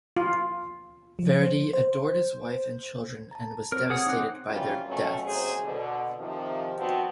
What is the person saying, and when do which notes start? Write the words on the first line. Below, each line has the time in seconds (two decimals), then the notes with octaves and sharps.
Verdi adored his wife and children and was devastated by their deaths.
0.17 F4
1.19 F3
1.42 C5
1.73 C5
3.31 A5 A#5
3.72 C4 A#4 C5 C#5
3.90 G#4 F#5 D#6
4.07 C4 D#4 F#5 D6 F#6
4.49 F#2 E3 F3 G3 C#4 F4
4.88 F2 B2 F#3 A3 C#4
5.26 D#2 C3 F#3 G#4 C5
5.64 B2 D3
6.20 C3 D#3 F3
6.78 D#3 F3 B3 C4 F#4 D5